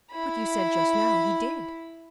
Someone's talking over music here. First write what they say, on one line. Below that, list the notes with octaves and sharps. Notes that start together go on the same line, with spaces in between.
"But you said just now he did."
E4 B5